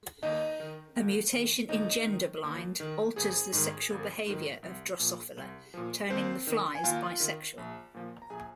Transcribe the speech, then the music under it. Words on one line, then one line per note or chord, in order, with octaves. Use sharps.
A mutation in Genderblind alters the sexual behavior of "Drosophila", turning the flies bisexual.
D#2 D#4 D#5
D#3
D#2
D#3
D#2 D#4 D#5
D#3
D#2
D#3
G#1 G#4
G#2 D#3
G#1
G#2 D#3
C2
A#2 F3
C2
A#2 F3
D#2 C4 C5
D#3
G#5
D#2 F4 F5
D#3
A#1
A#2 F3
A#5
A#1 G#4 G#5